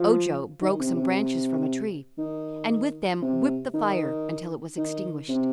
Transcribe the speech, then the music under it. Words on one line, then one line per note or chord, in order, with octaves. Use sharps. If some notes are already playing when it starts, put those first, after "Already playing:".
Ojo broke some branches from a tree and with them whipped the fire until it was extinguished.
Already playing: F3
D#3
C3
C3
D#3
C3
D#3
D#3
C3